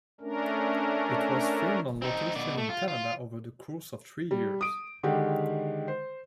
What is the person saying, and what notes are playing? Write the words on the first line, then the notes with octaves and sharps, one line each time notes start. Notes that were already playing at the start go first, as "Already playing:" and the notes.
It was filmed on location in Canada over the course of three years.
A3 C#4 D4 A#4
C4 D#4
B2 D5
A3
F4
F4
G3
D#6 D7
D3 D#3 G#3 G4
C5